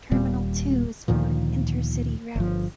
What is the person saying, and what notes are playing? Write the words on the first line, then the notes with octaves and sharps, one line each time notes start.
Terminal two is for intercity routes.
D#1 A#2 G3
D2 A#2 D#3 F3
G1 F3